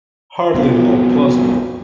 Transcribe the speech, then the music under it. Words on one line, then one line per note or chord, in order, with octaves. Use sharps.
Hardly more plausible.
B1 F2 B2